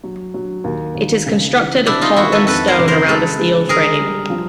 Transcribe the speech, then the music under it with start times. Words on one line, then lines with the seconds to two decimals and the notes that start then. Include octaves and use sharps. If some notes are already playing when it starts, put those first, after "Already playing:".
It is constructed of Portland stone around a steel frame.
0.04 F#3
0.34 F#3
0.64 D#2
0.95 D#2
1.26 C#3
1.56 E3
1.86 C3 D4 E4
2.01 D#4 F4
2.16 D#3 E4 F#4
2.32 A4 B4
2.47 F2 A4 B4
2.68 A#4 C5
2.78 C#3
2.88 A#4 C5
3.08 G#3 A4 B4
3.39 G#3
3.69 D3 G#4 A#4
4.00 G3
4.30 F3